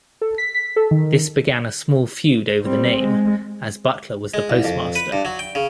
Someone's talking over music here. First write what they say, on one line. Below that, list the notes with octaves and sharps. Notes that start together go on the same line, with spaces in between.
This began a small feud over the name, as Butler was the postmaster.
A4
B6
B6
A4
D#3
G3 C4
G#3
G#3
C2
F2
B4
G2
F#3
G5
C#3